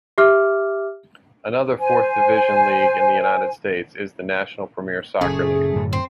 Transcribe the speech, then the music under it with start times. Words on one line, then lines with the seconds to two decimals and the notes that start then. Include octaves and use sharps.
Another fourth-division league in the United States is the National Premier Soccer League.
0.18 G4 E5 D6 F6
1.80 C5 G#5
5.21 F#1 A#2 A3 C#4 G#4
5.76 F#2 A2 D3
5.93 C4